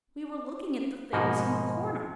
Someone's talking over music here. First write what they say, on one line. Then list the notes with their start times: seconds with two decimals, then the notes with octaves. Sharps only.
'We were looking at the things in the corner.'
1.13 G#2 B2 F3 A#3 D#4 F#4